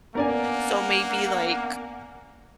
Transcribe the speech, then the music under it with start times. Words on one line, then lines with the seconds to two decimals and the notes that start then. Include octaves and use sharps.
So maybe like
0.15 A#3 B3 C#4 D4 A#4 D5 F#5 G#5